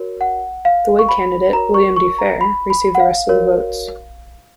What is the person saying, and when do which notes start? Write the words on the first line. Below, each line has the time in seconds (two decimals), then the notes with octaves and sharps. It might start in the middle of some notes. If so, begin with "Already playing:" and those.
The Whig candidate, William D. Fair, received the rest of the votes.
Already playing: F#4 A#4 C#5
0.21 F#5
0.65 F5
0.99 C#6
1.09 B5
1.53 F#4 A#4 C#5 A#5
1.74 C#6
1.96 C#6
2.18 A#5
2.41 B5
2.70 B5
2.95 F#5
3.00 F5
3.29 F#4 A#4 C#5